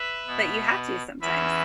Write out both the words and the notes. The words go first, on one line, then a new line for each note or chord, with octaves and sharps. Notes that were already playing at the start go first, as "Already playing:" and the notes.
but you have to sometimes.
Already playing: B4 E5
B2 B3
E2 E3 C#4 B4 E5